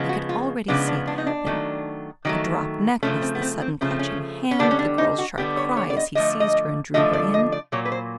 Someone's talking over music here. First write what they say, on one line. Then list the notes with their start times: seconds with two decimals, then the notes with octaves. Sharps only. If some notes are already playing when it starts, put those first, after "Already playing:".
I could already see it happen--the dropped necklace, the sudden clutching hand, the girl's sharp cry as he seized her and drew her in.
Already playing: C#3 F3 G#3 B3
0.09 F#4
0.29 F4
0.68 C#3 F3 G#3 B3 D4
0.88 D4
1.07 D4
1.18 D#4
1.27 D4
1.46 D#3 F#3 A3
2.25 D#3 F#3 A3
3.03 C#3 F3 A3 C#4
3.22 C4
3.35 B3
3.42 C4
3.62 C4
3.81 C#3 F3 A3 C#4
3.90 C4
3.99 C#4
4.51 C#4
4.59 D3 G3 B3 D4
4.71 C#4
4.79 D4
4.98 D#4
5.18 F#4
5.38 D3 G3 B3 G4
5.57 C#5
5.77 C#5
5.90 D5
5.97 D#5
6.15 D3 F3 A3 D#5
6.40 D#5
6.94 D3 F3 A3 D#5
7.13 D5
7.34 D#5
7.52 D5
7.72 A#2 F#3 A#3 C#5
7.85 B4
7.92 C5